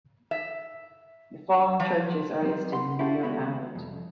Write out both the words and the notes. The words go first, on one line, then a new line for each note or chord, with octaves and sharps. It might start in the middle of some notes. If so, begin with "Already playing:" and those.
The following churches are listed in the year founded.
E5
F3
F#3 G3 C4
B4 F#5 C6
E4 F#4 G4 A4 F5 F#5
D#2 G#3 B3 C#4 F#4 B5
C2 F2